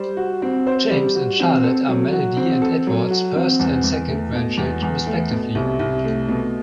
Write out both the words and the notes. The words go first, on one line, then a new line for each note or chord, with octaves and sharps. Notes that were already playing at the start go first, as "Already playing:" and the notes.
James and Charlotte are Melody and Edward's first and second grandchild, respectively.
Already playing: G3 C5
F#4
C4
C5
G3
F#4
C4
A4
F#3
F#4
C4
A4
F#3
F#4
C4
E2
E2
A3
B2
E2
E2
A3
B2
C2
C2
A3
B2